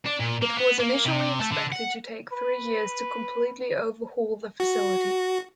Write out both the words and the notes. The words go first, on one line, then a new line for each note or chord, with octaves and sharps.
It was initially expected to take three years to completely overhaul the facility.
D4
A#2
A#3
B3
A#3
C3
A3
D3
F#5
B4
F#4